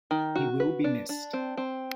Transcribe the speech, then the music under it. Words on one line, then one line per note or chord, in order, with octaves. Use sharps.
He will be missed.
D#3
F#4
B4
D4
D4
C4
C4